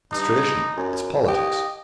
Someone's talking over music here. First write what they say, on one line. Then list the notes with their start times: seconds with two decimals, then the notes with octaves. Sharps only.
It's tradition--it's politics.
0.12 G2 D#4
0.77 F#2
1.28 G4 D#5